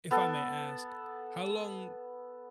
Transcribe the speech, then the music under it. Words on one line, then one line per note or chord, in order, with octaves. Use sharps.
if I may ask, how long
B3 A4